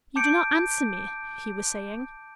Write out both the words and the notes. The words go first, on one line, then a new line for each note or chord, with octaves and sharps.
"You do not answer me," he was saying.
A5 D6 G6 C#7 D7